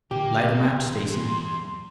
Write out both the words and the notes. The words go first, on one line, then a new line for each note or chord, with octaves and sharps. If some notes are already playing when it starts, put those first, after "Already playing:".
"Light a match, Stacy."
A#2 D3 A#3 G4
E2 C6